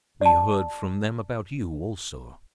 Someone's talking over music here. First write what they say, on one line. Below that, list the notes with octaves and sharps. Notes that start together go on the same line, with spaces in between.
We heard from them about you also.
D5 A5